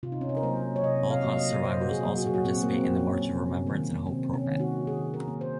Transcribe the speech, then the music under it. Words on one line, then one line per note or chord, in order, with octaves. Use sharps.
Holocaust survivors also participate in the March of Remembrance and Hope program.
C3 F4
D#4
C#4
D#4
A#4
F#3 A#3 C5
C#5
C3 D#5
F5
F#3 A#3
D#5
A#2 C5
F#4
G#4
F#3 A#3
F#4
G#4
F#4
A#2 C4
A#3
C4
F#3 A#3
C#4
C3 C4
D#3 A#3
C3 C4
C#4
D#3 A#3
F#4
D#3 G#4
A#4
A#3
C5